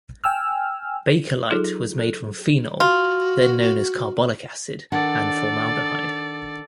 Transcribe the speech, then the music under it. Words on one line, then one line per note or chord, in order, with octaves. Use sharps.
Bakelite was made from phenol, then known as carbolic acid, and formaldehyde.
G5 G#5 E6 F6
F#3 D#4 F4 G#4 A4
A4
F4 F#4
D#3 D4 A4 D5 F#5